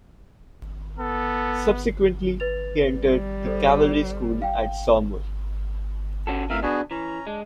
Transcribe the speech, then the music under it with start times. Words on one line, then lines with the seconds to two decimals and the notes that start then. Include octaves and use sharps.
Subsequently, he entered the cavalry school at Saumur.
0.98 B3 A4
2.40 B4 A6 F7
2.99 G3
3.45 A4 C5 D5
4.42 F5 G5
6.27 C#4 F#4 A4
6.50 C3 E3 A3 A#4 E5 F5
6.63 B2 B3 D4 F#4 G#4
6.91 E3 C#4 A#5
7.27 G#3 D4